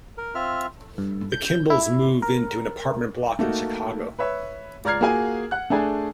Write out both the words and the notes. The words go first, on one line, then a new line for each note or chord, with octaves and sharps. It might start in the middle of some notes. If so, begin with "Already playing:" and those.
The Kimbles move into an apartment block in Chicago.
A#4
C4 F4 E5 F6
G2
G6
E4
A#4
A3 A#3 D#4 F#4
B4 C#5 E5
C#2 D5 A#5 F6 G#6 C7
A#3 F4 F#4 G#4 F5 G#5
F#5 F#6
A3 D4 G#4 G#5